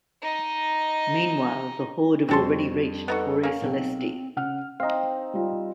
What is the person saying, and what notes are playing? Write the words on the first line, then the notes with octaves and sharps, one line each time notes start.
Meanwhile, the Horde have already reached Cori Celesti.
D#4 D#5
F2 G3 C4 F#4 A4 C6
B3 D#4 F#4 A4
A#3 C#4
B1 C4
C#3 F#5 F6
C4 D#4 D#5 F5
G3 F4